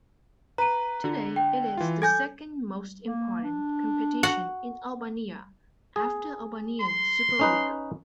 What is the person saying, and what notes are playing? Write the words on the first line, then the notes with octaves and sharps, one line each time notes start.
Today it is the second most important competition in Albania after Albanian Superliga.
B4 A#5 D#7
D3
G5
E3 F4
A4 G#5 G6 G#6 A#6
A#3
D4
F#4 F#5
G#4
C6
C#4 D#4 B4